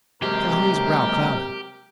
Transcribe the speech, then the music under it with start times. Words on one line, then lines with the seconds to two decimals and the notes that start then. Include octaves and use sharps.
Calhoun's brow clouded.
0.22 C3 F#3 G#3 G4 A#4